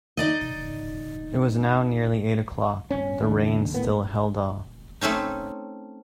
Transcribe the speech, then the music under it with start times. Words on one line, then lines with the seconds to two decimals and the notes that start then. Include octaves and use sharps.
It was now nearly eight o'clock; the rain still held off.
0.17 D#4 D5 D#5
2.91 G1 C#4
3.20 F#1 D#2 A3 D4
3.74 A2 A#3 B3
5.01 A3 C4 C#4 D#4